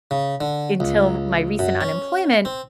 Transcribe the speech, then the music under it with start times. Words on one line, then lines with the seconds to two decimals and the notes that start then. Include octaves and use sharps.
until my recent unemployment,
0.11 C#3
0.41 D3
0.80 C#2
1.59 F#2
1.81 C#4
2.45 C4